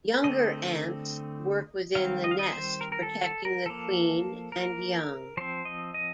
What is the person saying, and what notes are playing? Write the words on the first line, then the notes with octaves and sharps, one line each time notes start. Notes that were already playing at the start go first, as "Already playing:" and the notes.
Younger ants work within the nest protecting the queen and young.
D3 A3 C4 D#5
D#3 G3 C4 F5
D#5
F5
D#5
C5
A#4
A#4
A4
A4
A#4
F3 A#3 A4
A#4
F3 C4 C5
D#5
D#5